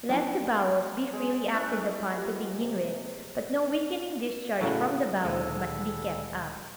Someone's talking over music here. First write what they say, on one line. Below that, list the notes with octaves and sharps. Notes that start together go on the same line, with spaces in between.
Let the bowels be freely acted upon to begin with, but no weakening discharge from the bowels must be kept up.
F3 F#3 B3 C#4 D4 E4
G#3 G#5
C#4 E4 F#6
E5
B3 F4 G4
C3
A2 C#3 F#3
D2 A#2 D#3 G3 G#3 A4